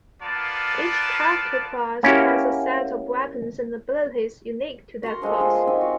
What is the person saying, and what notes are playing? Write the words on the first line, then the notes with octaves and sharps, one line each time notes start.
Each character class has a set of weapons and abilities unique to that class.
A#3 B3 F4 D5 A5
A#3 C#4 E4 F#4 G4
F#4 A#4 A#5 C6
F3 G#3 G4 A4
F4 G#4 A#4 C5
B3 G5
C4 D#4 G4 G#5
F#4 F5